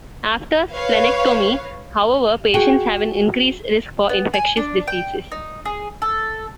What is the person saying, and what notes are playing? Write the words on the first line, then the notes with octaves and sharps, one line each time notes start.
After splenectomy, however, patients have an increased risk for infectious diseases.
B4 C#5 F5
F#4 G#4 G5
B3
G#5
D4
G5
D#4
G#4
A4